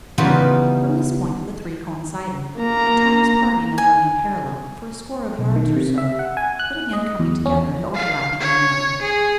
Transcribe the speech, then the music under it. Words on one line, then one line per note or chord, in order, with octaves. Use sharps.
From this point the three coincided--at times parting and running parallel, for a score of yards or so, but again coming together and overlapping one another.
C#3 E3 G3 B3 D#4 F4
A#3 A#5
G#5
B1
D#3
C3
E5
F#5
G#5
F#6
D#5
E2
C#4
F5
C#5
G#4